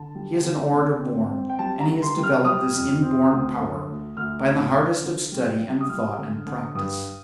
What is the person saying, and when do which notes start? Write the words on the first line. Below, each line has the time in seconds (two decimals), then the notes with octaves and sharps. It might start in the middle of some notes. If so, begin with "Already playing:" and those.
He is an orator born, and has developed this inborn power by the hardest of study and thought and practice.
Already playing: D3 A5
0.15 G3
0.44 D3
0.73 D3
1.01 C4
1.30 C4
1.50 G5
1.59 G3 A5
1.80 A#5
1.87 D3
2.02 C6
2.16 G3
2.23 F6
2.45 G3 D#6
2.74 F2
3.02 C4
3.31 D2
3.60 D3
3.89 D2
4.17 D2 F6
4.46 D2
4.75 D3
5.03 D3
5.32 G3
5.60 G3
5.81 D#6
5.89 G3 F6
6.18 D3
6.47 D3
6.75 G2 D#6